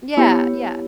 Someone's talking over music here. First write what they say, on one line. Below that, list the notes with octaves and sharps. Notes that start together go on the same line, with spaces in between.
Yeah, yeah.
B3 E4 G4 C#5